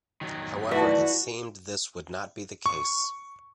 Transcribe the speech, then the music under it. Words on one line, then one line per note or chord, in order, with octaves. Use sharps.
However it seemed this would not be the case.
D#3 F#3
E3 A3 E4 F#4 B4 D5 E5
C#6